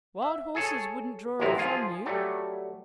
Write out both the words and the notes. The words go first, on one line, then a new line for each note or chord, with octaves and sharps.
Wild horses wouldn't draw it from you?
E5
G#4 A4 C#5
A1 F#2 C3 B3 E4 A#5
F3 F4 G#4 F5
F#3 G3 A3